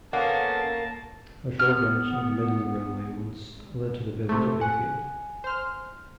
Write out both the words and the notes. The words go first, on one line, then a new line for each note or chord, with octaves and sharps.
A short branch of the Midland Railway once led to the village of Hayfield.
A#3 B3 C#4 A4 F#5 A5
B3 F6
C3 A3
F#5 G#5
C5 F6